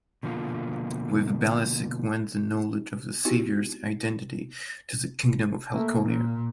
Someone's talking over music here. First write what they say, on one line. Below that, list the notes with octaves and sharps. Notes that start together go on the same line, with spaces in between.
With Balasik went the knowledge of the savior's identity to the kingdom of Halconia.
B2 D3 F3 A#3 F4
B3 C4 D#4 E4 F#4 G4
A3 A#3
A#2